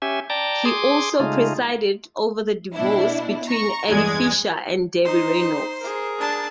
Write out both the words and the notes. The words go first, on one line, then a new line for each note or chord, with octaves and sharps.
He also presided over the divorce between Eddie Fisher and Debbie Reynolds.
C#4 G4 E5 G#5
D5 G5 A5 A#5
G#4 C6 D6 D#6
C#3 G#3 A3 D#4 F4
B2 D4 E4
A#5 C#6
E2 G2 G#3 D5 G#6
D#4 C5
G#4 A#4
D4 A5